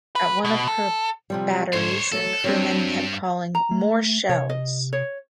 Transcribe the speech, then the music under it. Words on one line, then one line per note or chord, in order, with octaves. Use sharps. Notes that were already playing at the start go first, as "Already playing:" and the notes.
At one of her batteries, a crewman kept calling More shells!
B4
B2
A4
C3 F3 G3
G#2 D3 C5 C#5
F#3 A3 A4
G2 F#3 C4 D4
A#5
A3
C3 C#5
D#5
C#5